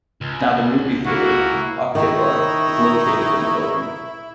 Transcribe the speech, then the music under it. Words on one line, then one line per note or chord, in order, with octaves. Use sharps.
Now the movie theater "Oktyabr" is located in the building.
C#2
A#3 E4 F#4
D#3 D#4 E4 C#6